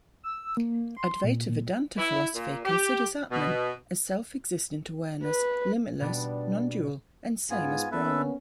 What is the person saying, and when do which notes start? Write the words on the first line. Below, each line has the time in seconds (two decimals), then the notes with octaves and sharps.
Advaita Vedanta philosophy considers Atman as self-existent awareness, limitless, non-dual and same as Brahman.
0.23 E6
0.57 A#3
0.97 C6
1.24 A#2
1.48 A#2
1.98 E4
2.34 A#2
2.65 G4
3.31 B2
5.24 B4
6.00 B2 G3 B3 D4
7.50 G#2 B3 F4 G#5
7.91 A#3 B3 C#4 A4 B4 E5